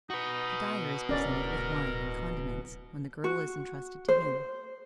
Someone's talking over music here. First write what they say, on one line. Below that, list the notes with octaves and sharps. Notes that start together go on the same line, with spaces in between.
The dyer is presented with wine and condiments when the girdle is entrusted to him.
D#4 F#4 B4
D1 C#4 A#4 D5
F#4
C5